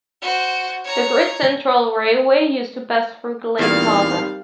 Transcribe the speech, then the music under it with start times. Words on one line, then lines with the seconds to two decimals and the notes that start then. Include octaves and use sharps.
The Great Central Railway used to pass through Glen Parva.
0.22 F#4 C5
0.85 C#5 A#5
3.59 E2 A#2 G3 C4 D#4 A#4 F5